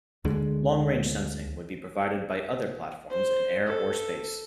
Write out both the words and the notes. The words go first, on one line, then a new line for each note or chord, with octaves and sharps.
Long-range sensing would be provided by other platforms in air or space.
D2 D3 G#3
C5
A4